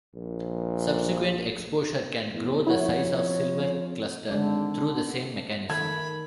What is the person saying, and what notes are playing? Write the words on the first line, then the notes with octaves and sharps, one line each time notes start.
Subsequent exposure can grow the size of silver cluster through the same mechanism.
A#1
E2
F2 E4 F#4 C#5
G#1 D3 G#3 D4
D#3 A3 B5 G#6